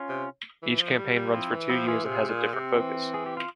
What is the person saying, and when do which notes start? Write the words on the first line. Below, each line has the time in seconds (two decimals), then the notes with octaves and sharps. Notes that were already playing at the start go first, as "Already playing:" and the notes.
Each campaign runs for two years and has a different focus.
Already playing: C#4 F4
0.09 C3
0.62 E3
0.80 F3
0.98 G3
1.16 G3
1.34 F3 C4 E4
1.52 E3
1.69 F3 E4 G4
1.87 E3 F4 G#4
2.05 C3 F4 G#4
2.29 A#2 F4 G#4
2.53 C3 C4
2.77 E3
3.14 G#4
3.26 G4
3.37 F4